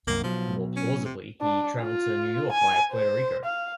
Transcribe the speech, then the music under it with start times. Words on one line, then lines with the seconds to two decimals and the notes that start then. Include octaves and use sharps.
More plausibly he travelled to New York via Puerto Rico.
0.07 C2 F#2 A#3
0.24 B2 F3 F#3
0.76 C#4
1.05 C3
1.41 D4
1.81 F4
2.52 G#5
2.92 C5
3.45 F5